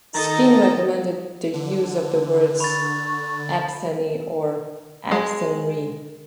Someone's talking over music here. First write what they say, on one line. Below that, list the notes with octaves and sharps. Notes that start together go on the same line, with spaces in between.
Skene recommended the use of the words "abthany" or "abthanry".
D#3 D#4 A4 D#5 A#5 A6
D3
B5 C#6 A6
G#3